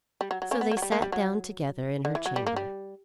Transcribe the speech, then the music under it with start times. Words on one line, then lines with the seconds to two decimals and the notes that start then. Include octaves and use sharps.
So they sat down together in her chamber.
0.21 G3
0.31 F#3
0.42 F#3
0.51 A#3 C#4
0.61 B3
0.71 A#3
0.77 F#3
0.82 G3
0.92 A#3
1.02 G3
1.12 F#3
2.05 D3
2.15 E3
2.26 F#3
2.36 G3
2.47 A#3
2.56 G3